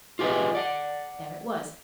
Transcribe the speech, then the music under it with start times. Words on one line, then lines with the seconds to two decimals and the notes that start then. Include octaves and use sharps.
There it was.
0.19 F4 G4 G#4 B4 D#5
0.55 D5 F#5